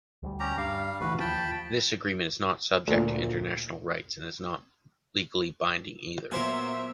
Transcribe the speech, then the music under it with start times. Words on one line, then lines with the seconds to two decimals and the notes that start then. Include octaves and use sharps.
This agreement is not subject to international rights and is not legally binding either.
0.23 D2 G3
0.40 C#4 G4 A#5
0.58 G2 G3 F5
1.01 D2 E3 F#4 B4
1.20 D#2 F3 G5 A5 B5
2.88 D2 A#2
6.31 A#2 F#3 A#3 B3 A#4 C5 E5 G#5